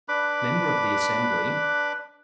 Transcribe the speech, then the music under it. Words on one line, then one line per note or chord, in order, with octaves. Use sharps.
Member of the Assembly.
D4 B4 B5 D6